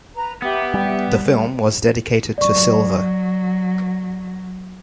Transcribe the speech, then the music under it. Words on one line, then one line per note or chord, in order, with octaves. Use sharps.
The film was dedicated to Silva.
B4 A#5
B3 G4 E5
G3
F#3 D5 C#6